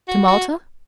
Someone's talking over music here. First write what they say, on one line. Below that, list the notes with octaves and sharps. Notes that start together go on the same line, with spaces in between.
"To Malta?"
F#4
F#4